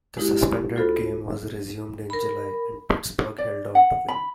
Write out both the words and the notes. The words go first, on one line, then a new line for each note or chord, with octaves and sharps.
The suspended game was resumed in July, and Pittsburgh held on to win.
G#3 D#4 E4 F#4 G4
D2 F4 F#4 A4 C5 B5
A#4 B5
D5
F#5
B5